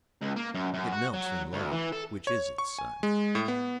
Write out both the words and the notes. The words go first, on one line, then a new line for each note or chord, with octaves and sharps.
It melts in love, which is its sun.
C#2
A#3
F#2
F#2
F#4
F#3
D2
E3
A4
C#5
C#6
G#5
G#3
A2
B3